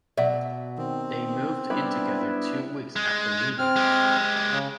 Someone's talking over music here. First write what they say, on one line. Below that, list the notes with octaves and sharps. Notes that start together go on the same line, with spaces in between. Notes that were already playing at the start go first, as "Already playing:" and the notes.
They moved in together two weeks after meeting.
B2 F#3 D5 E5
D#3 C4
G3 B3 D4 E4 B5
G#3
C4 F6
G#3 G4
C#3